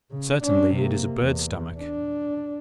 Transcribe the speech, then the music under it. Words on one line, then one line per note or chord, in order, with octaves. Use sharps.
Certainly it is a bird's stomach.
C#3
C#4 D4
C3 A#3
E2
D4